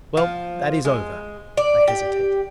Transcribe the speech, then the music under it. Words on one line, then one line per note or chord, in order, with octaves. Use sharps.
"Well, that is over." I hesitated.
F3
G#3
D5
G4